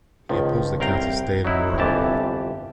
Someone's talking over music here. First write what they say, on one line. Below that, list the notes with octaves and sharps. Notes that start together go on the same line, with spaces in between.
He opposed the counts of Stade and Werl.
C#2 D#3 F3
C2 A#4 F5 G5 A#5
F#3 D#4 E4
G1 C2 F2 E3 G4 A5